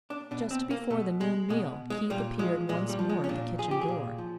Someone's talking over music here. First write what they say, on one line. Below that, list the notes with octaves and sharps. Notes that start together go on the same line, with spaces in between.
Just before the noon meal Keith appeared once more at the kitchen door.
D4
B2 D4
C4
A#3
B2 A3
G#3
B2 G#3
G#3
A#2 G3
F3 G#3
A#2 G#3
G3
F3
G#3
C#4
A#2 D4
F3 G#4
G4
G#4
A#2
F3